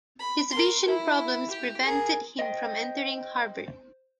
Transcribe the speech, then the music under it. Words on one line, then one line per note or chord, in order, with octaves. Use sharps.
His vision problems prevented him from entering Harvard.
B5
A#4 C6
E4
G4
G#4 A#4
C5 D#5 G5